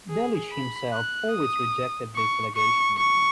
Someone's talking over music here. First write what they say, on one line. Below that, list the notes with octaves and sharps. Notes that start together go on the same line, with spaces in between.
Delitzsch himself always rejected this allegation.
G#4
B5
F#6
D#6
C#6
C#6
C#6